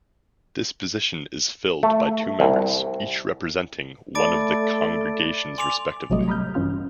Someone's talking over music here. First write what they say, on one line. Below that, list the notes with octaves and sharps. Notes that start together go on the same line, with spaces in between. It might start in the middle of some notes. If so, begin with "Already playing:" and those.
This position is filled by two members, each representing one of the congregations respectively.
A3
C2
A3 D5 A5 B5 D6 A6 D7
G#5 C6 D6 F7
A1 C3 F#3 G3 A3 D#5
A#5 B5 D#6 F6 G6
G2 E3 C#4 F4 F6